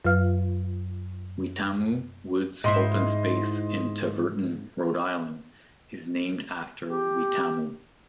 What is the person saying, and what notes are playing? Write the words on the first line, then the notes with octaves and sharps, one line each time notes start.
Weetamoo Woods Open Space in Tiverton, Rhode Island is named after Weetamoo.
F#2 F#3 F4 B4 F5 F6
G#2 E4 D#5 C6
G4